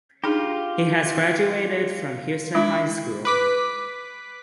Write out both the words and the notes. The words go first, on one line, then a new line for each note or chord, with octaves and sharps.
He has graduated from Houston High School.
D4 D#4 F4 G4 G#4
G#3 D4 E4 F4
B4 D6 B6